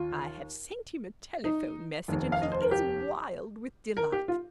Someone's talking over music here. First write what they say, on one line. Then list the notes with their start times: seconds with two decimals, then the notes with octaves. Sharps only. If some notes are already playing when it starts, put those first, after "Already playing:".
I have sent him a telephone message and he is wild with delight.
Already playing: D#2 F4
1.44 D#4
2.08 F1 D#2 D#3
2.32 F5
2.42 D#5
2.52 C5
2.61 A#4
2.71 G4
3.97 A#4
4.12 G4
4.28 F4